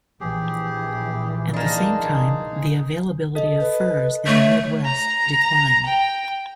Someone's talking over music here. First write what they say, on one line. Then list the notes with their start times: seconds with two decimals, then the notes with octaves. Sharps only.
At the same time, the availability of furs in the Midwest declined.
0.21 A#1 A#2 E3 G4 G#4
1.53 G#3 A#3 D4 D#4 G#4
3.35 A4 D#5
3.60 B4
4.27 A3 C#5
4.85 A#5
5.85 G5